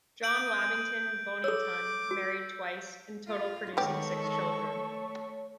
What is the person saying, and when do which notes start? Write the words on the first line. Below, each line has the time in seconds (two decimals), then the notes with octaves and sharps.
John Lavington Bonython married twice, in total producing six children.
0.23 D#6 G6 D7 F#7
1.44 A4 C#5 D6 E6
2.11 F#4
3.28 F4
3.77 D#3 G#3 B3 G4 A4 C#5 C#6
4.72 A3